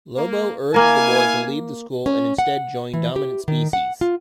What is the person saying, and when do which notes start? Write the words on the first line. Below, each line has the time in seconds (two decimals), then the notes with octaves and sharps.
Lobo urged the boy to leave the school and instead join Dominant Species.
0.17 A#3
0.74 A#3 E4 A#4 F5 G#5
2.06 C#4
2.38 F#5
2.93 E3
3.16 G4
3.48 D#3
3.73 F#5
4.01 F4